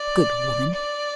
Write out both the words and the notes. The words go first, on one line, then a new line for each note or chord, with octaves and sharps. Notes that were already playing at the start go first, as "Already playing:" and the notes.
Good woman!
Already playing: D5
D5